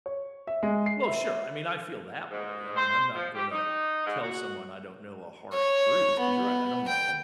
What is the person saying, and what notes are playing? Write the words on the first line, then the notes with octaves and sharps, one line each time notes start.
Well, sure, I mean, I feel that way, I mean, I'm not gonna tell someone I don't know a harsh truth, 'cause you're right, I don't know
C#5
E5
G#3
C7
E5
G#2
C5
F3
G4
D#4
G#2
F#4
C#5
B3
G5